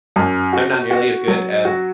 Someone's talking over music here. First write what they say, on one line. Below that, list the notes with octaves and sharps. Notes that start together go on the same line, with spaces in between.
I'm not nearly as good as
F#2
F#4
F#4
F#3
F#4